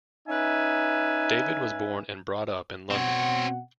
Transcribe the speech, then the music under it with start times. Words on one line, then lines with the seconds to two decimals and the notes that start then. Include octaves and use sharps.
David was born and brought up in London.
0.29 C#4 D#4 B4 E5 G#5
2.91 B2 C4 C#5 F#5